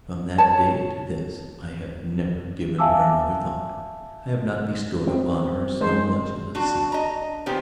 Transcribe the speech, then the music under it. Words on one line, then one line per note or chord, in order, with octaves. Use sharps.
From that day to this I have never given her another thought; I have not bestowed upon her so much as a sigh.
C#5 A5
E5 F5 G#5 A5 D6 E6
C4
D#3 G#3 C5
D4 F#4
D#5 A#5
A#2 D#3 B3 G4 C5